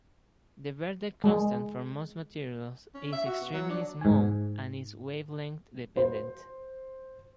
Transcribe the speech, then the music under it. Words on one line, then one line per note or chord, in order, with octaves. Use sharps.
The Verdet constant for most materials is extremely small and is wavelength dependent.
G#3
C#4
E5
F#4
B2
F#3
D4
G#2 G#5
C5